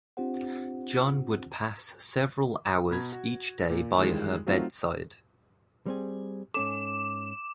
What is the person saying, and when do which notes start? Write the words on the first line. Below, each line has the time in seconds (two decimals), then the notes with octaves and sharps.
John would pass several hours each day by her bedside.
0.17 C4 D4 F4 G4 C5 F#5
2.91 B2 A#5 B5 G#6
3.12 F#4
3.70 A#2
3.98 D#3 E3 G3 G#3 F4
4.46 F#3 A3 C4 D#4 F4 F#4
5.86 G3 C4 G#4
6.54 G#2 C#4 A4 D6 E7